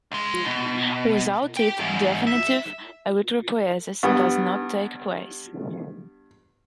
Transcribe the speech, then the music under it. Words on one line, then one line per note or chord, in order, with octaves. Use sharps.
Without it, definitive erythropoiesis does not take place.
C#2 G#3
B2
G4 G5
E2 G#2
E5
G2 B3